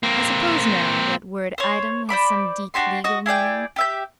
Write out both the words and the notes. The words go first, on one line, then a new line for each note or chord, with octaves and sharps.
"I suppose, now, that word 'item' has some deep legal meaning?"
A#3 C4
C5 C#5
C5 D5 B5 D6
D4 F#4 G4 C6
F#4 D#5
E4 G#4 D5 G5
G4 E5 G6